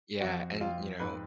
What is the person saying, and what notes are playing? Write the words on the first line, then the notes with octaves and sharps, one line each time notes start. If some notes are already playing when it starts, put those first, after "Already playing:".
Yeah, and, you know,
F2 F#4
F2 F4
G#2 B4